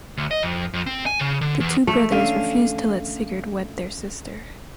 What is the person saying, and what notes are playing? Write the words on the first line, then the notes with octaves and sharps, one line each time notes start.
The two brothers refused to let Sigurd wed their sister.
D2
D#5
F2
F2
C4
G#5
C#3
D3
E2
E3 F3 A3
D3 C#4 F5